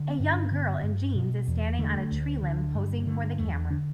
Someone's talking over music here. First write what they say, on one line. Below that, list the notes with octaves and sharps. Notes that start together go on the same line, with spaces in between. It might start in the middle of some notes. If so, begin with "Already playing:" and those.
A young girl in jeans is standing on a tree limb posing for the camera.
Already playing: D3
B3
G2
D4
D4
D3 B3
G2
B2
E2
D3 A3
D2
D3
G2
D3 A3
E2 A3
D3 D4